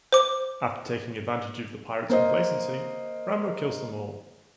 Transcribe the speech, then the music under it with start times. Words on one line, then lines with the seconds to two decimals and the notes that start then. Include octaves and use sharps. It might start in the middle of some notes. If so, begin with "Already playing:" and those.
After taking advantage of the pirates' complacency, Rambo kills them all.
0.13 C5 D6
2.09 A#3 C5 D#5